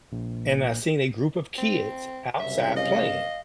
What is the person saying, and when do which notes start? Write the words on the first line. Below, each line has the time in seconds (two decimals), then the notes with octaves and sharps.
and I seen a group of kids outside playing,
0.12 A#1
1.58 C4
2.40 F#1 C2 C#3 E5
2.77 D#5 F5